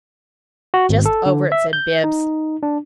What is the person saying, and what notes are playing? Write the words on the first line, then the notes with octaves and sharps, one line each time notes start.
"Just over it," said Bibbs.
F#4
G#1
A4
D3
E5
G6
D#4
D4